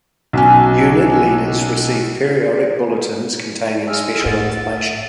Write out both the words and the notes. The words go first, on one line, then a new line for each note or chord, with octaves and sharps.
Unit leaders receive periodic bulletins containing special information.
B1 F#3 C#4
G#3 E6 F6
A2 F#5 A6
E5